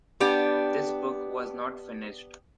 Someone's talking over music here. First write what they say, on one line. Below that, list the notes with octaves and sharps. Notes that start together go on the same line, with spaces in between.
This book was not finished.
B3 D4 G4